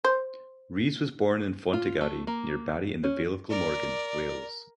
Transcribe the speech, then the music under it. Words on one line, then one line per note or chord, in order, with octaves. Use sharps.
Rees was born in Fontegary, near Barry in the Vale of Glamorgan, Wales.
C5
F4
A3
A#3
C#4
A#4 D5